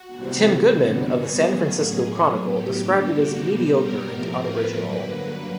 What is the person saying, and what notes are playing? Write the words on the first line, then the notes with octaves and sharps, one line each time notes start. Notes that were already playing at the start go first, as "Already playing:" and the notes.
Tim Goodman of the "San Francisco Chronicle" described it as "mediocre" and unoriginal.
Already playing: F#4
C3 E3 G3 C4
G2 D3 G3 B3 F#4
G#4
A2 F#3 A#3 C#4
A2 F#3 B3
G4
G2 D3 G3 A#3
F#4
B2 G3 B3 G4
A#4
A2 F3 A3 C4
B4
G2 D3 F#3 A#3